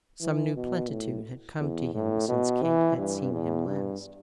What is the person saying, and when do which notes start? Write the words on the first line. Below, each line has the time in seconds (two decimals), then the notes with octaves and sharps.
Some new plenitude had come to him since Kate had seen him last.
0.21 E3
0.56 B2
0.90 A2
1.60 E2
1.94 A2
2.29 B2
2.63 E3
2.98 G2
3.32 E2
3.66 G2